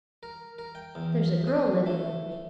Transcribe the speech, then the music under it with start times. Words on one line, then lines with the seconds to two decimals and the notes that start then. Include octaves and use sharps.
'There's a girl living with me.
0.23 A#4
0.58 A#4
0.75 G5
0.95 E2
1.47 G#4
1.86 A3